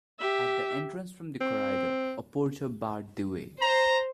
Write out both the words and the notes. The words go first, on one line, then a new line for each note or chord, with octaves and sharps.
At the entrance from the corridor a porter barred the way.
G4 E5
C4
C5 A#5